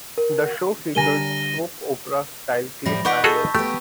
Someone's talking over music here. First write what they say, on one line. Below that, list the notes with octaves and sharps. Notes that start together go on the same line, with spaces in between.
The show featured soap opera-style cliffhangers.
A#4
D3 G3 A#4 G#5 A#5 A#6 D#7 G7
A2 F3 G3 B5 A#6
D#4 F4 B4 D5 F#5 C#6 G6 B6
F#4 G#4 A4 A5 C#6 E6
A3 B3 G4